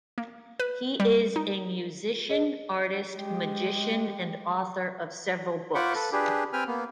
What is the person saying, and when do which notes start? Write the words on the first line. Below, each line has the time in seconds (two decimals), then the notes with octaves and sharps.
He is a musician, artist, magician and author of several books.
0.18 A#3
0.60 B4
1.00 G3
1.36 D#4
2.30 G#4 D#5
3.15 G#3 G4
5.75 F4 C5 F#5 B5 C#6 D6
5.95 A4 B4
6.12 D4 G4 G#4 B4
6.53 C4 B4 G5 G#5 F6
6.67 A#3 B3